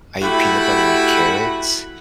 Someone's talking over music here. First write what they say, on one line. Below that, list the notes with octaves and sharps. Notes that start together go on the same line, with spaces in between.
I eat peanut butter on carrots,
A3 E4 F#4 G4 F#5 B5